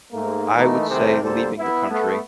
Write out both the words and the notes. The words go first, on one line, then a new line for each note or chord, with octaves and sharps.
I would say leaving the country,
G#2 A3 A#3
E3 A3 A#3 D#4
C2 C3 D#3 A3 G#4 C5
D2 A#2 G3 A4 C5
B3 E4
A3 B3